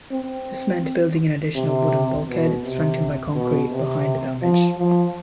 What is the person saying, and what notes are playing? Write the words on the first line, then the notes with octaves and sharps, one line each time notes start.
This meant building an additional wooden bulkhead, strengthened by concrete, behind the damage.
C4
C3
B2
C3
B2
C3
F3
F3